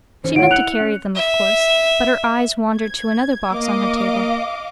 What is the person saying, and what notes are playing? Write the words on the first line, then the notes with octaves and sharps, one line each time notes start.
She meant to carry them, of course, but her eyes wandered to another box on her table.
D3 E3 C#4 C5
D#3 E3 A3 E4 C#5 F#5 D7
E4 F#6 C#7 F7 F#7
C#4
E5
G#6
A#3 D#5 F5 D6